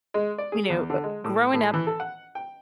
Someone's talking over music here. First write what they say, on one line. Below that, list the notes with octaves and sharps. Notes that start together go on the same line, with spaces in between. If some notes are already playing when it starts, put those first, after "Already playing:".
you know, uh, growing up
G#3
D5
G#4
E2
D3
G#3
A2
A2
E3
A4
F#5
G5